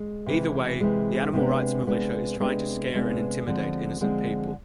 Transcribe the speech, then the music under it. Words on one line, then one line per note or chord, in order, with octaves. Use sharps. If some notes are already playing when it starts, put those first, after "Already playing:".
Either way, the Animal Rights Militia is trying to scare and intimidate innocent people.
Already playing: G#3
C3 E3 G#3
C3 E3 G#3
C3 G#3 B3 D4
C3 G#3 B3 D4
C3 G#3 B3 D4
C3 G#3 B3 D4
D3 F3 G#3 C4
D3 F3 G#3 C4